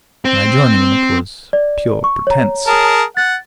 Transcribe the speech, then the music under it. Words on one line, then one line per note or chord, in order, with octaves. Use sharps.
My joining in it was pure pretence.
C4
D5
C#6
C#5 A#5
G#4 A#4 A5
F#5 A6